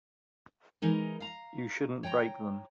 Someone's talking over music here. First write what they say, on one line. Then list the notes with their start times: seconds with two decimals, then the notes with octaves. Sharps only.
You shouldn't break them.
0.82 E3 G#3 D#4 A#4
1.20 F5 A#5
2.03 C#5 G5 G#5 A#5